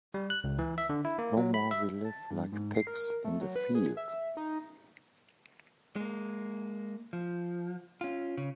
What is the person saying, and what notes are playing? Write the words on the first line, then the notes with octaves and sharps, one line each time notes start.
No more we live like pigs in the field.
G3
F#6
C#2
E3
E5
D3
E4
A#3
F#3
B5
E5
A5
G2
G#2
C7
A#4
A3
F#3
B4
G#4
E5
D#4
G#3 A#3
F3
C#4 F4
C#3